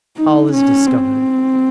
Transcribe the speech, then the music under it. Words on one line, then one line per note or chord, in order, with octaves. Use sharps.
All is discovered.
D#4
C#4
C4